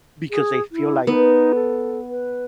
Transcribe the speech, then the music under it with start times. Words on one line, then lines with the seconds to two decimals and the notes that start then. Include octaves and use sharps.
because they feel like
0.30 G#4
0.71 E4
1.07 B3 D#4
1.55 A4
2.10 B4